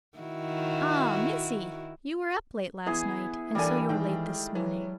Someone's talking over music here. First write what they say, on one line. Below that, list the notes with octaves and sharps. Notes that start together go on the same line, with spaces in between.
'Ah, Missy! you were up late last night, and so you're late this morning.
D#3 E4 F#4
E3 B3 E4 G#4
E3 G3 A#3 D4 A4 G#5
D#3 G#3 G5
E3 F#3